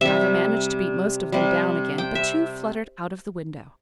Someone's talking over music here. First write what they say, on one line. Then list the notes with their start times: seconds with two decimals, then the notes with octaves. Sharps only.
Diva managed to beat most of them down again, but two fluttered out of the window.
0.01 C3 G3 E5
1.32 C3 G3
1.98 G5
2.15 E5